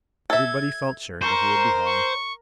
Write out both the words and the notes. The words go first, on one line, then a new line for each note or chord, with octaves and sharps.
Everybody felt sure that he would be hung.
A4 E5 G#6
A#4 C5 C#6
C#6